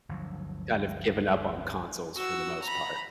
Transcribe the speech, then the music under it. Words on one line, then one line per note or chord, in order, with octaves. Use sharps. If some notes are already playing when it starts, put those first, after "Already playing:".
kind of given up on consoles for the most part,
G1 D2 F3 F#3
F#4 E6
A#5 B5